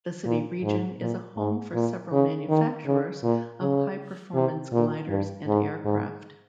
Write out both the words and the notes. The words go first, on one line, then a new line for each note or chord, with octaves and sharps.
The city region is a home for several manufacturers of high-performance gliders and aircraft.
A#2
G#2
A#2
G#2
A#2
C#3
D#3
C#3
A#2
C#3
C3
A#2
G2
G#2
G#2